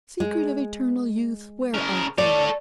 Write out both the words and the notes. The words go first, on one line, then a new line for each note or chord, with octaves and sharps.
Secret of eternal youth--where art thou?
G#3
C#3 A#4
A4 C#5 D5